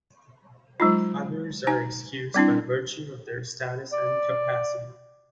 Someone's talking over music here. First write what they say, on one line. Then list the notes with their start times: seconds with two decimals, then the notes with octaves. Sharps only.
Others are excused by virtue of their status and capacity.
0.80 F#3 G#3 D#4 F4
1.67 D#4 G#5
2.34 G3 C4 D4 E4
3.92 D5